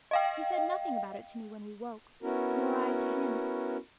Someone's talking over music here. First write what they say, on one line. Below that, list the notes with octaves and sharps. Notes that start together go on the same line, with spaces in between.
He said nothing about it to me when we woke, nor I to him.
D#5 F5 G5
B3 C#4 E4 F#4 A#4